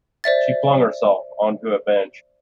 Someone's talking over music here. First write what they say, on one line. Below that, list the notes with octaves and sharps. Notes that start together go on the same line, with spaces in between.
She flung herself on to a bench.
C5 D5 E5 A6